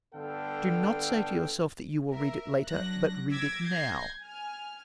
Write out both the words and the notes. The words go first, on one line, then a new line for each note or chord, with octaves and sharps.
Do not say to yourself that you will read it later, but read it now.
G2 D3 B3 A4 F5 G5
A#4 E5
F#3 D4 F#6 A#6
D6 E6 G#6 A#6 B6
G6 G#6 A#6 C7
G#5 F6